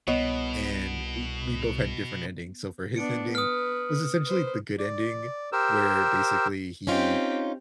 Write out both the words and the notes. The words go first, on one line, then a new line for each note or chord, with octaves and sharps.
and, we we both had different endings. So for his ending, it was essentially the good ending where, basically, he
C2 B2 B3 C#5 D#5
B3 D4 C#7 D7
B4 D#6 F6
B4 C5
D5
G4 A#4 C5 E6
C4 C#4 D#4 F4 G4